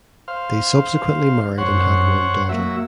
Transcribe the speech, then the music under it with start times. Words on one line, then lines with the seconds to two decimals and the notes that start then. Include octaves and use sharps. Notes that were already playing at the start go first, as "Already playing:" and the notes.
They subsequently married and had one daughter.
0.28 C5 F5
1.58 F#2 C5 C#5 F#5
2.49 F#3 A#3 E5